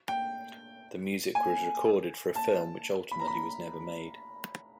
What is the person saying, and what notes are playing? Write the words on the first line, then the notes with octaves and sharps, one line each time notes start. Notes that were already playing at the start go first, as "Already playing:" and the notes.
The music was recorded for a film which ultimately was never made.
G5
G#5
A5
B5
A#5
B5